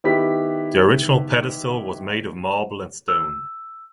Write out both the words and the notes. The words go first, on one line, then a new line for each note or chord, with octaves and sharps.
The original pedestal was made of marble and stone.
D#3 B3 E4 G4 B5 B6
E6